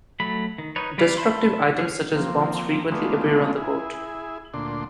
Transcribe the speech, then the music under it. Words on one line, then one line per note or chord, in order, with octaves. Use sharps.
Destructive items such as bombs frequently appear on the court.
F#3 A3 B5
D#3
D#4 B4 C#5
G3 B4 D5 F5
E5 A5 B5 C6
G#4 C#5 F6
F3 A#3 C4
G#3 A3 B3 D4 D#4 F4
E4 G#4
D2 A#2 D4 C6